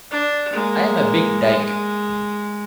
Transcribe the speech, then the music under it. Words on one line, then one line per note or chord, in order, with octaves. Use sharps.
I'm a big dyke.
D4
G#3 A#3
G#3